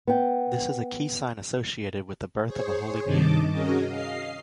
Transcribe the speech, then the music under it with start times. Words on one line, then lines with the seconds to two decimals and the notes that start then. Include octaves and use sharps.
This is a key sign associated with the birth of a holy being.
0.07 B3 G5
2.46 G#4 C5 C#5
3.04 G2 C3 D#3 D#5 A5 D6
3.52 C#4 F#4 G#4 A#4 D#5
3.88 D#5 F5 C7